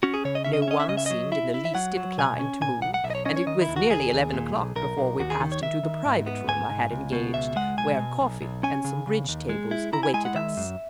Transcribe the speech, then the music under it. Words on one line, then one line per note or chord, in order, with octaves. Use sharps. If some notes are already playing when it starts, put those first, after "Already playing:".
No one seemed in the least inclined to move and it was nearly eleven o'clock before we passed into the private room I had engaged, where coffee and some bridge tables awaited us.
C#4 F#4
G#4
C#3 C#5
D#5
C#4 E5
D#5
E5
C#4 D#5
E5
C#3 D#5
E5
F#3 D#5
E4 E5
E4
E5
F#3 F#5
F#3
B2 G#5
C#4
A#2 G#5
B1 F#5
F#5
B1 E5
D#5
C#5
C#4 D#5
C#5
D#3 D#5
E4
D#2
F#4
D#2 G#4
D#2
A#2
B1
B1 A#4
B1
D#2 F#4
G#4
D#3
C#5
D#3 E5
D#3
G#2
B3
G#2 G#5
G#2
C#2
B2
C#2 E5
G#3 F#5
B1 G#5
B2
B1
B1
C#4 G#5
C#3
C#3
D#2
G#3
E4
E4 A#5
G#5
G#3 G#5
F#5
D#3 E5
F#2